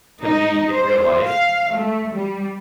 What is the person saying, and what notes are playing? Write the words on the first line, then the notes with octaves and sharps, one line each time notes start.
to meet in real life.
D#4
C5
F5
A3
G3